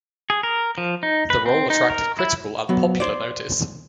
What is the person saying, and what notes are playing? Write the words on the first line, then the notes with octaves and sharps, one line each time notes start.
The role attracted critical and popular notice.
G#4
A#4
F3
D#4
B4
C4
D#4
A#4
E4
F#3 B3
C5 D5